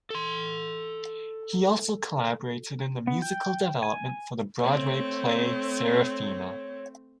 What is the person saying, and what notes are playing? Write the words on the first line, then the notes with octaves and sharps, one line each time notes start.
He also collaborated in the musical development for the Broadway play, Sarafina!
A4 C6
B3
G5
G#5
A3 C4 C#5